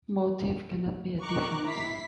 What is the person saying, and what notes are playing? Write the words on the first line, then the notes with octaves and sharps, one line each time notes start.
Motive cannot be a defense.
D#3 A#5 C#6 D6 F#6
E4 B6 C7